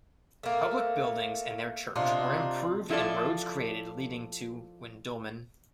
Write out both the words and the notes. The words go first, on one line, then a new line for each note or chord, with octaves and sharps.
Public buildings and their church were improved and roads created leading to Guindulman.
A3 A#3
C3 D4 D#4 F4
F3 E4 F4 A4 D5